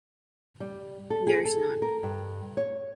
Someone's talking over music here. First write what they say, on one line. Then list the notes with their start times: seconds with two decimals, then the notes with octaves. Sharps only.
There is none.
0.60 G3
1.10 A4
1.27 G#4
1.45 A4
1.82 A#4
2.03 G2
2.57 C#5